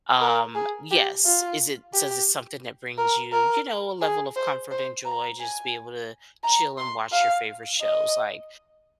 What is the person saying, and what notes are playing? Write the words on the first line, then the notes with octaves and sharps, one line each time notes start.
Um, yes, is it does it something that brings you, you know, a level of comfort and joy just to be able to chill and watch your favorite shows? Like,
A#4
G#4
G4
F4
G4
A#4
A#4
G#4
C5
C5
A#5
G#5
A#5
C6
F5
D#5